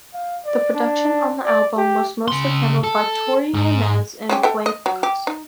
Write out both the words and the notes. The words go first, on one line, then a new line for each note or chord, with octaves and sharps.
The production on the album was mostly handled by Tory Lanez and Play Picasso.
F5
D5
D4
D5
G4
C#3 C6
A4
G#2
G#3 C#4 G4
A4 E5 G5
D#5
F#3
G4
D#4